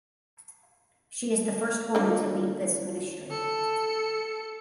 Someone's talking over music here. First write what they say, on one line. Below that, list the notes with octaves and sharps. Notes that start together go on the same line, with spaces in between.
She is the first woman to lead this ministry.
D3 A#3 D#4
A4 C#7